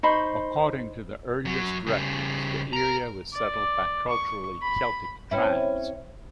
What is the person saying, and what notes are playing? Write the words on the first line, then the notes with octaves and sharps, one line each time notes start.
According to the earliest records, the area was settled by culturally Celtic tribes.
D#4 C5 B5 C#6
F#2 F#3
C#3 G3
A#4 A#5
D5
C#6
B5
C4 C#4 E4